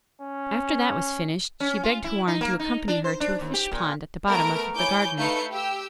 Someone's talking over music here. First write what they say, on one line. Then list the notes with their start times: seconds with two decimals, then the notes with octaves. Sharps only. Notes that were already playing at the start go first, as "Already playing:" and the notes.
After that was finished, she begged Houarn to accompany her to a fish-pond at the bottom of the garden.
0.21 C#4
1.60 C#4
1.83 F4
2.04 E4
2.27 D#4
2.41 A#3
2.59 D#4
2.88 D4
3.04 C5
3.20 D4
3.41 D#2
3.54 G4
3.71 A#2
4.26 A3 B3 A#4 D7
4.76 E4 C#5 G#5 D6 G6 D7
5.17 A3 D#4 B4 F5 G6 C#7
5.50 G4 G5 E6